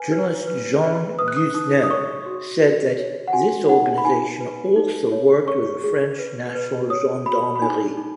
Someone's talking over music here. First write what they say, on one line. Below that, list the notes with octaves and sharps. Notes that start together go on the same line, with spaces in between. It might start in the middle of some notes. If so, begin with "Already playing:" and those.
Journalist Jean Guisnel said that this organization also worked with the French National Gendarmerie.
Already playing: B4 G#5
B4
B4
B4
B4 D#6
F#6
D#6
D#4 D#6
D#6
C#5 C#6
F#4
F#4
C#5
F#5
F#4 G#5
D#4 F#5
B5
D#4 G#5
B4
D#4
C#5
C#5 C#6
G#4
B4
B4
C#5 D#6
F#4 B5
B5
D#4 G#5
D#4